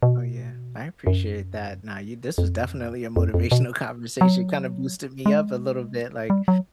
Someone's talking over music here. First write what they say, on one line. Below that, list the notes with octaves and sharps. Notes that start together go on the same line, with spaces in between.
Oh, yeah, I appreciate that. Now you this was definitely a motivational conversation, kind of boosted me up a little bit, like,
B2
F#2
F2
F2
F2
B2
F#3
G#3
G3
F#3